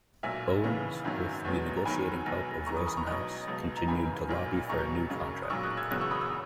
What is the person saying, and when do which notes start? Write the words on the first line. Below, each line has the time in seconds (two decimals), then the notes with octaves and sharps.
Owens, with the negotiating help of Rosenhaus, continued to lobby for a new contract.
0.23 B1 A#2 F#3 E5 G#5
0.64 D#2 C#3 E3
1.05 G#1 F#2 D#3 F#3
1.45 E2 B2 F#3
1.77 A#5
1.85 E2 D#3 F#3 G#5 B5
2.26 B1 B2 F#3
2.67 F#1 F#2 E3 A#5 C#6
2.76 B5 D#6
2.87 B5 D#6
2.97 A#5 C#6
3.07 B1 B2 F#3 D#5
3.47 C#2 B2 F#3
3.77 A#5
3.88 G#1 F#2 C#3 E3 G#5 B5
4.28 B1 A#2 F#3
4.69 C#2 B2 F#3 A#5 C#6
5.10 F#1 F#2 C#3 F#3
5.43 D#6
5.50 B1 A#2 F#3 C#6 E6
5.63 D#6 F#6
5.77 E6 G#6
5.90 E1 E2 C#3 F#3 D#6 F#6
6.01 C#6 E6
6.11 B5 D#6
6.21 C#6 E6